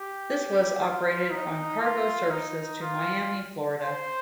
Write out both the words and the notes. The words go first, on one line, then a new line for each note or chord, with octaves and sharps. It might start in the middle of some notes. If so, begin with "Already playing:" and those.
This was operated on cargo services to Miami, Florida.
Already playing: G4
F4
D#4
F4
D#4
F4
C5